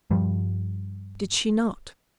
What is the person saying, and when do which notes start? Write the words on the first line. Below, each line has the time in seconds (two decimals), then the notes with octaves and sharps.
Did she not?
0.11 G2 F3 G3